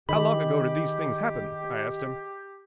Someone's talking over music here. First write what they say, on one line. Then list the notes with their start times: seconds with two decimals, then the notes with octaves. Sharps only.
"How long ago did these things happen?" I asked him.
0.09 D#3 G4 G#4 D#5 B5